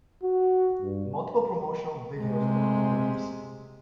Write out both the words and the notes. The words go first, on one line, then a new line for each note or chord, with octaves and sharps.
Multiple promotional videos were released.
F#4
G2
C3 G#3